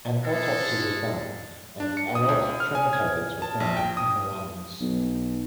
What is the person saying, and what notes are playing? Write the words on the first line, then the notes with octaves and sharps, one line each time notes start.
An autopsy was done and adult trematodes were found in the lungs.
G#3 A4
D4
C#7
D#6
C#2
F6
G#5
G#6
A5
A#1
G5
D#6
B1